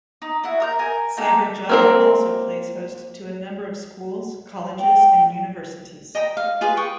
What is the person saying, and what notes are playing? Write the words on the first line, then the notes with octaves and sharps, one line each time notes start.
Cyberjaya also plays host to a number of schools, colleges and Universities.
D#4
E4 F#4
A#4 D#6 G6
A#4 G#5
A#3 D#4 G4 A4
A#3 C4 A#4
G5
D#5 G5 A#5 B5
F5
F4 G#4 B4
G5 C#6 D#6